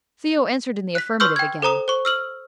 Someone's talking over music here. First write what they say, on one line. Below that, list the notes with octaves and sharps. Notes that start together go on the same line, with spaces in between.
Theo answered in the affirmative again.
F#6 B6
B4 C6 C#6 E6 F6 G6
G5 G#6
A4 C5 A#5 D#6
C5 C#6
E6 F6 F#7